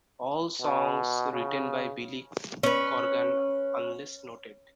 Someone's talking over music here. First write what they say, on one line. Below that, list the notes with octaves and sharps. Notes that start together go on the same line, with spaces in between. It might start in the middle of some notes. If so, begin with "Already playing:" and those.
All songs written by Billy Corgan unless noted.
B2
C#3
C#4 B4